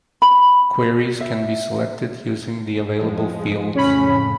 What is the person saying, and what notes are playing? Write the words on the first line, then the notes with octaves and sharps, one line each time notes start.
Queries can be selected using the available fields.
B5
E5
F2 F3 G#3
F2 A2 C#3 C#4 B5